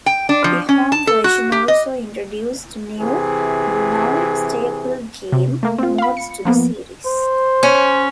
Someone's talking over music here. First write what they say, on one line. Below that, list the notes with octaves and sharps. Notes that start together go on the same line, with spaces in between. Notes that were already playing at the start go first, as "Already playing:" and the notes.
The home version also introduced new, now-staple game modes to the series.
G5
D4
F3
C#4
A5
A4
F#4
G4
D#5
C3 E3 G#4
C3
A3 A#3
C4 F4
F5 B5
C#7
F3 A#3 B3
C5
C#4